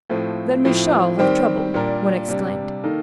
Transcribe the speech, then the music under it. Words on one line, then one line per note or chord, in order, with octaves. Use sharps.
"Then we shall have trouble," one exclaimed.
A2 F3 A3 C4
A2 F3 C4
D#3 G3 C4 G4 C5
A#2 G3 D4 G4 A#4
C3 G3 D4
D#3 A#3 D#4 A4